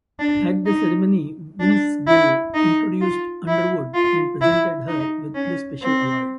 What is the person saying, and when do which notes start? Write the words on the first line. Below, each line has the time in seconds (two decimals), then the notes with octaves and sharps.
At the ceremony, Vince Gill introduced Underwood and presented her with the special award.
0.19 D4
0.66 D#4
1.60 D4
2.07 E4
2.54 D#4
3.01 F4
3.48 E4
3.94 F4
4.41 E4
4.88 D#4
5.35 C#4
5.82 C4